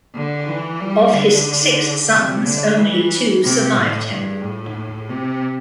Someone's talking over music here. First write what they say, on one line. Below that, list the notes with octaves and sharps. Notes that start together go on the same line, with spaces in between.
Of his six sons, only two survived him.
D3
E3
G3
D3
C3
D3
E3
C3
A2
G2
A2
C3